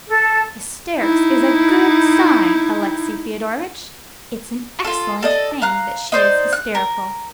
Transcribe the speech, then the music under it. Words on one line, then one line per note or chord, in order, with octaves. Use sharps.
Hysterics is a good sign, Alexey Fyodorovitch; it's an excellent thing that she is hysterical.
A4
D#4 E4
F4 A4
A4 D5 D#5
F5 A#5 F#6
D#4 C5 D5
F#6
A#4